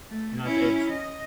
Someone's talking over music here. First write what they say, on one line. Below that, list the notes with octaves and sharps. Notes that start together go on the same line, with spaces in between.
You know, if if
A3
C#4 E4
D#5